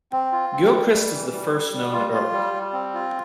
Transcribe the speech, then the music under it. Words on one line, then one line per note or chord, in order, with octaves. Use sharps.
Gilchrist is the first known earl.
C4
F4
C4
G3
G3
E3
G3
G3
G3
F4
F4
G3
G3
C4
F4